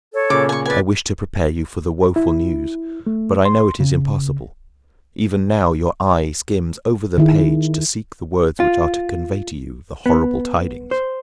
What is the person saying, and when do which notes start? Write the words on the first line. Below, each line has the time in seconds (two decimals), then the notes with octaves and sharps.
I wish to prepare you for the woeful news, but I know it is impossible; even now your eye skims over the page to seek the words which are to convey to you the horrible tidings.
0.12 A4 C#5
0.30 A#2 C#3 D6
0.49 G#5 C#6
0.66 B4 D5 G#5
2.16 E4
3.07 A3
3.45 C6
3.80 C#3
7.18 D#3 E4 G#4
8.60 F4
10.06 B3
10.91 C5